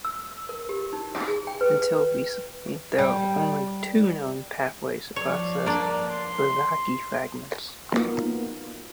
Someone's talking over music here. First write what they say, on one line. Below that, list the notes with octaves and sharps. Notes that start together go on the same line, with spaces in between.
Until recently, there were only two known pathways to process Okazaki fragments.
E6
A#4
G4
D#4
G#4
G5
B4
G3
F3 C#5 D5
A#3 D4
C6
A#3 B3 D#4 F4 A#4